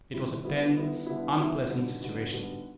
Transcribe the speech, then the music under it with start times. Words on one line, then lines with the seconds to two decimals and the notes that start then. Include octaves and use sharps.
It was a tense, unpleasant situation.
0.14 C3 D#3 G3 C4 E4
0.44 D3 G3 B3 E4
0.75 D3 G3 B3 E4
1.07 D3 G3 B3 E4
1.38 D3 G3 B3 E4
1.69 D3 G3 B3 D#4 F#4
2.01 D3 G3 B3 D#4 F#4
2.31 D3 G3 B3 D#4 F#4